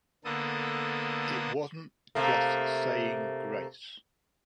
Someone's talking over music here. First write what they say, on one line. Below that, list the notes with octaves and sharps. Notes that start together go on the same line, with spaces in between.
It wasn't just saying grace.
D3 A#3 B3 A4 D#6
C3 A3 A#3